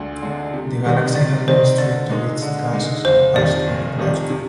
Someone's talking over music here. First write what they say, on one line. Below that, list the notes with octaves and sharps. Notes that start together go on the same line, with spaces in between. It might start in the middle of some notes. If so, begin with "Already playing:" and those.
The galaxy has been stripped of its gas as it passed through the cluster.
Already playing: D2 D3 G#3 D4
D3 G#3 D4
C3
D#3 G3 C4 D#4
C3 D5
D#3 G3 C4 D#4 C5
D3 D5
G#3 D#4
D3
G#3 D#4
F1 C5
F2 D#3 G3 D5
F1
F2 D#3 G3
C3